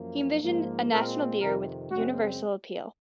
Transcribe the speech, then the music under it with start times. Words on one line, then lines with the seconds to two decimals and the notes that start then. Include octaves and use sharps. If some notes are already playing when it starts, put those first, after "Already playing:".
He envisioned a national beer with universal appeal.
Already playing: F#2 F3 A#3
0.40 G#2 F3 A#3
0.90 A#2 G#3 C4 A#4
1.40 F2 C3 D#3 A#4
1.90 F#2 C#3 G#3 C4 F#4